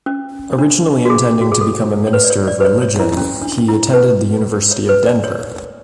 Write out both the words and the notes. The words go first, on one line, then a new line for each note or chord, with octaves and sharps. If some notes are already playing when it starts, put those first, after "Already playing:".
Originally intending to become a minister of religion, he attended the University of Denver.
C#4
D4
F#4
G#4
F#4
G#4
A4
C#5
B4
D5
C#5
D5
B4
C#5
C#5
E4
C#4
D4
E4
B4
C#5
B4
D5
C#5